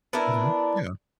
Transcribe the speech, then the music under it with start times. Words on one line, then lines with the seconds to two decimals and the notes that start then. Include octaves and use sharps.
Mhm, yeah.
0.13 B3 D4 E4 A#4